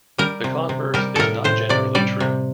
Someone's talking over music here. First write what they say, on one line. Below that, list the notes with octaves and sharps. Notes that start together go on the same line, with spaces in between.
The converse is not generally true.
G3 A#4
C3
C3
G3 A#4
A2 A4 A#4
A2 C5
C3 D5
G3 D5
C3